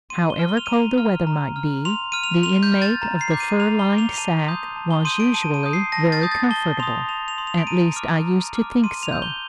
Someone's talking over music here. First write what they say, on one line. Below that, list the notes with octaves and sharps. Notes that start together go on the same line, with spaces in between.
However cold the weather might be, the inmate of the fur-lined sack was usually very comfortable--at least I used to think so.
C6 D#7
G7
F6
G7
F7
A#5 D#7
F7
F6
A#5
F6
C6 F7
F6 D#7
F7
C6 F7
G6
F6
A6
A#5
C7
D6 G6
D#7
A#5 F7
G7
D6 G6
F7
F7
A5 D#7
C6 D#6 G6
A5
G7
C6 D#6 G6 D#7
D7
A5 D#7
D#7
D#6 G6
C7
A5 A#6
A6
D#6 G6
A6
A5 G7
C6 D#6 F7
A5 F7
F7
C6 D#6
F7
D7
A#5 D#7
D6 F6
A#5
D6 F6
C6 D#7
F7
G6
G7